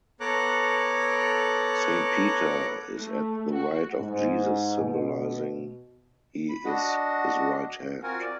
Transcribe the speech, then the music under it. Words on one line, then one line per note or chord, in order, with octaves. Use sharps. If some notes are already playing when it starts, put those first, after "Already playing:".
Saint Peter is at the right of Jesus symbolizing he is his right hand.
B3 A4 C#5 A#5 D6 F#6
A3
F#4
G#2
B2
B5
D4 F#4 D#5 F#5
C4 F4 F#4 A#4 F#5 G#5
D5